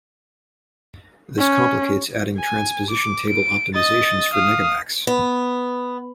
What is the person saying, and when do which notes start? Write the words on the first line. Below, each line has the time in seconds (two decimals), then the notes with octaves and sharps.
This complicates adding transposition table optimizations for negamax.
1.38 C#4
2.38 G#5
2.91 D6
3.30 D7
3.75 D#5 A6
4.34 F5 D#6
5.07 B3